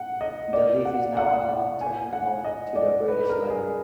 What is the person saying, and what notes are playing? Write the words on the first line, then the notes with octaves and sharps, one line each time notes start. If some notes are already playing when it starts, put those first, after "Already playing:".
The leaf is now on long-term loan to the British Library.
Already playing: F#5
D#5
D5
F#5
F#5
F#5
G#5
F#5
D#5
D5
B4
A#4
G#4